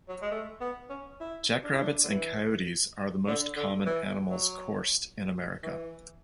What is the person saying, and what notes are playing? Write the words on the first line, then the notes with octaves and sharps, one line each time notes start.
Jackrabbits and coyotes are the most common animals coursed in America.
F#3
G#3
A3
B3
C#4
E4
D4
E4
D4
D3
E3
D3
D3
E3
F#3
E3